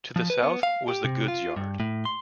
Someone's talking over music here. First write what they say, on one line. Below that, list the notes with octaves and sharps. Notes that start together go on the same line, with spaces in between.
To the south was the goods yard.
F3
B4
B3
F5
G4
C3
F4
G2
A2
C6